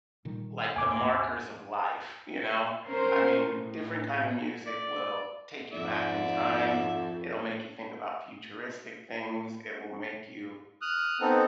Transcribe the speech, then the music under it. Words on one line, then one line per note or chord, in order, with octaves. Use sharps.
like the markers of life, you know? I mean, different kind of music will take you back in time, it'll make you think about futuristic things, it will make you,
A#2 D#3 G3
D#2 G#2 B2 G#5 D6
C#4 A#4 C5
A2
D5
F2 G#2 D5 E5
D#6 F6 F#6
B3 C4 D#4 A4